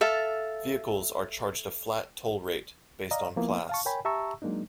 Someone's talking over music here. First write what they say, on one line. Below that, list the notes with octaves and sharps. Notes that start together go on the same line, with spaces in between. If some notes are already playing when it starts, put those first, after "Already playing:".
Vehicles are charged a flat toll rate based on class.
A4 E5 F5 A5
D5 D#5 F5 A#5
F3 A#3 B3 E4
F5 A5 C#6
A#4 C#5 G5 G#5 B5
G4 E5 A5 A#5 C#6 E6
F#3 G#3 A#3 D4 D#4